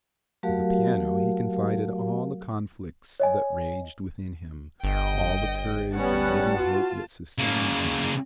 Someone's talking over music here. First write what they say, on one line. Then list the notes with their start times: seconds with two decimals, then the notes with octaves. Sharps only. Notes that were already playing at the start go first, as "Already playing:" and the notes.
To the piano he confided all the conflicts that raged within him, all the courage and living hope that sustained him.
0.43 F#3 A3 F#4 G4 A#4 F5
3.20 C#5 D#5 G#5
4.84 G1 D#5 G5
5.94 G3 B3 C#4 F#5 A5
6.58 F4 F#4
7.39 C#3 A#3